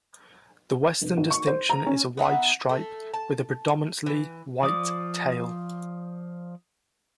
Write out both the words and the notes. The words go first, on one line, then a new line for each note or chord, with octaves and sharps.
The western distinction is a wide stripe, with a predominantly white tail.
F1
G#1
C#6
C5
A#5
C#4
B3 D#4 E5 F#5
A3
A5
E3
F3 D5 D6 D#6